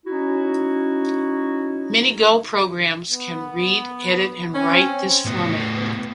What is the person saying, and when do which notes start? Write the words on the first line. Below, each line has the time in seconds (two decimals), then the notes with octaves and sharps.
Many Go programs can read, edit, and write this format.
0.07 C#4 D#4 E4 F#4
3.10 B3
4.55 C4 C#4
5.25 A2 B3